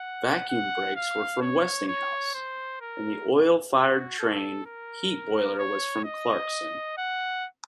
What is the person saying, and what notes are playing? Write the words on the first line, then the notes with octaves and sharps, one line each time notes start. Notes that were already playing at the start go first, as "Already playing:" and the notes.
Vacuum brakes were from Westinghouse, and the oil-fired train heat boiler was from Clarkson.
Already playing: F#5
F#5
F5
C#5
C#5
C5
A#4
F#4
A4
A#4
C#5
D#5
F#5